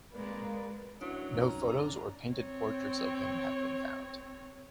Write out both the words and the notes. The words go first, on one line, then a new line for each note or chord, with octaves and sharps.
No photos or painted portraits of him have been found.
G#3 A#3 B4 D5
F#3 C#4 D4 E4
C2 F#2 C#4 D#4 A#5
D4
C4 C#5